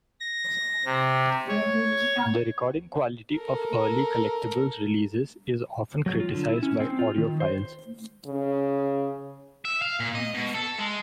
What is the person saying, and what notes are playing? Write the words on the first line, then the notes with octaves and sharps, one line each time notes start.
The recording quality of early Collectables' releases is often criticized by audiophiles.
A#6
C3
C#5
A4 A#4
F#3
F4
D3
E4
C#4
C4
F4
D#3
C5
C#3
E5
F5
A#2
D#5
B2
A4
G#3